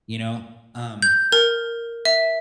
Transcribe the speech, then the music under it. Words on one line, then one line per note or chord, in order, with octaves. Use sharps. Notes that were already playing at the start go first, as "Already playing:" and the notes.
you know, um,
G6
A#4
E5